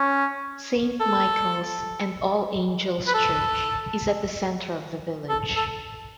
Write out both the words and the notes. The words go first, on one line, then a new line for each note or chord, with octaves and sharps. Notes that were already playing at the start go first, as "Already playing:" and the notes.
Saint Michael's and All Angels' Church is at the centre of the village.
Already playing: C#4
A4
B4
A4
A4
A4